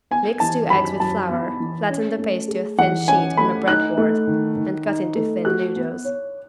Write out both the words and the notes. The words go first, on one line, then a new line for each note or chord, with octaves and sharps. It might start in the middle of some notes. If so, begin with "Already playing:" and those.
Mix two eggs with flour, flatten the paste to a thin sheet on a bread board and cut into thin noodles.
B3 G#5
E3 A5
F#2 B5
F#2 A5
B3
E3
C#4
A3
G#4
E3 F#5
C#4 G#5
A3 B5
D#4 F#6
A3
D#3
D#3
D#4
A3
F#4 F#6
B3
C#5